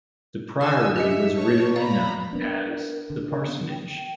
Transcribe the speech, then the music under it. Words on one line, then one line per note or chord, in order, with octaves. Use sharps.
The priory was originally known as The Parsonage.
G#5 E6 F6
G4 D#5 E5 C#7
C#5 A5 C#6
D5 F5 A#5 B5 A6
B3 D4 A#4
D3
A#4
B3
G5